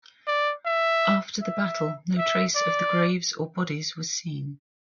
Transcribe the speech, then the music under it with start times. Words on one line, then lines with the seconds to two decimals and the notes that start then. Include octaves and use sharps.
After the battle, no trace of the graves or bodies was seen.
0.27 D5
0.66 E5
1.42 E5
2.18 E5
2.56 D5